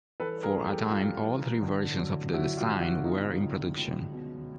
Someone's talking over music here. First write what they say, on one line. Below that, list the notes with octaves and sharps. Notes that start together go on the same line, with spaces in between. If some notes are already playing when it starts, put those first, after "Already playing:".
For a time, all three versions of the design were in production.
E3 A4 B4
G#4 A#4
G2
G4 A4
G2 F4 G4
E3
D3
F#2
F#2 E4 F#4
F4 G4
D3
E4 F#4
B2 D#4 F4
C#2
C#2
B2